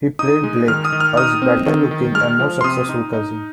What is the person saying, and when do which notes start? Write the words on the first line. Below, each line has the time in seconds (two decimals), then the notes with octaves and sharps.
He played Blake, Earl's better-looking and more successful cousin.
0.19 D#4 D#6
0.43 G#3
0.68 D#3 F6
0.85 D#6
0.92 D#3
1.00 F6
1.17 D#4 D#6
1.42 C4
1.66 D#3
1.91 D#3
2.15 G#3 F6
2.40 F3
2.61 C6
2.64 C3 D#6
2.89 D#4
3.13 D#4